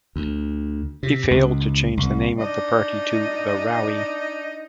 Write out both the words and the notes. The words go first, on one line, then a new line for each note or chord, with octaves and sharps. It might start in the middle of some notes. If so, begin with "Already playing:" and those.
He failed to change the name of the party to "The Rally".
D2
C3
C#2
C2
D4 D#4 D#5